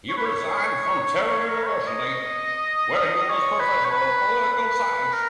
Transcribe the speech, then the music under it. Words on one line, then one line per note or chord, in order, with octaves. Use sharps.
He resigned from Tehran University, where he was professor of political science.
C#5
B4
C#5
A#4
B4
C#5
D#5
C#5
B4
C#5
B4
B4
A#4